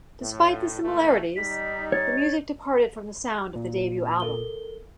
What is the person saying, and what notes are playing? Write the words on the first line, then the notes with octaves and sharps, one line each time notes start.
Despite the similarities, the music departed from the sound of the debut album.
A2
A#2 E3 A3
G3 D#4 B6
C#5 A6
A#2
A4 A#4 G7